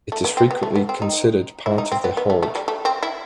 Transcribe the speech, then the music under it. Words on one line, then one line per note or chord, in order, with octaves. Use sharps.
It is frequently considered part of the Haud.
A3
B3
C4
B3
A3
B3
C4
D#4
E4
D#4
C4
B3
B3
A3
A3
G3
A3
C4
E4